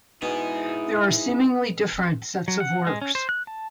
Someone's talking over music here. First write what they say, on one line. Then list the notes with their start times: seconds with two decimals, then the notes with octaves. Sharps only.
There are seemingly different sets of works.
0.22 B2 D#4 E4 G#4
2.48 F#3
2.60 F#5
2.87 G#3
3.02 C#4
3.15 C5
3.29 F#6
3.47 A5